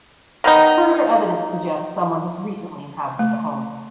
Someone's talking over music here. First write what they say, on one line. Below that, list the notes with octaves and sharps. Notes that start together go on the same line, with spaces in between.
Further evidence suggests someone has recently inhabited the home.
D#3 B3 D#4
A3